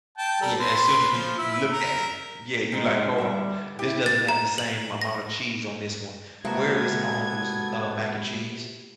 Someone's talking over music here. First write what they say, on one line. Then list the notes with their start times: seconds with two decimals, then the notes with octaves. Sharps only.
Yeah, as soon as you looked at it Yeah, you're like, "Hold on, this doesn't have the same amount of cheese on this one. Where is my uncle's m uh, mac and cheese?"
0.18 G5 A5
0.41 G3 A4 A#4
0.60 B4 C6
1.12 F3
1.38 E4 B5 E6
1.71 A#4
2.72 D#3 G#3 C4
3.18 D3 G3 E5
3.79 E4 G4
4.06 A6
4.29 A#5
4.58 F#7
5.01 A#6
6.45 C3 G#3 A#3 B3 F#4 A4 B4 G#6